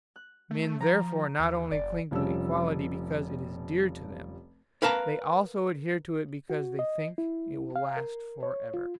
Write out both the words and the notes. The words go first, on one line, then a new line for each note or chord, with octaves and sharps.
Men therefore not only cling to equality because it is dear to them; they also adhere to it because they think it will last forever.
F#6
A3
F3 A#5
D#2
F#1 D5
F1 F3 G3 C#4 E6
A#4 B4 F5 A5 A#5
F#4
D#5
E4
F5
A#4
C#5
F4